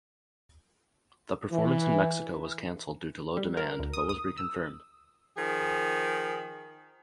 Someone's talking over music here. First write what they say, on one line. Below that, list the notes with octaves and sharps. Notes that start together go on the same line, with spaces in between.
The performance in Mexico was canceled due to low demand but was reconfirmed.
E3
G3
A#4
D2
D#6
D#6
E6
D#3 F3 G#4